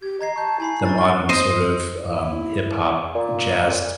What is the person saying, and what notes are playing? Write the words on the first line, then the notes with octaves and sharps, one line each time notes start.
the modern sort of, um, hip hop jazz
G4 G#6
D#5 A#5 G#6 C7
A5 C#6 G6
E4 G#5 B5 C7
D4 C#6 A6
C#6 F6 A6 G7
C5 D#5 C6
E4
A#2